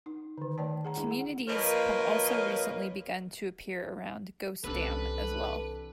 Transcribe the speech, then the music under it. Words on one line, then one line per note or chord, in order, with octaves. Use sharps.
Communities have also recently begun to appear around Ghost Dam as well.
D#4
D3 D#3
D#3 A3 C#5 D5 G5 A5
G#4 F#5 A#5
G#3 D4 E4 G#4
F#5
F3 A#3 A#4 B4 C#5 D#5
C2 C3 E3 C#4 D4 A4 B4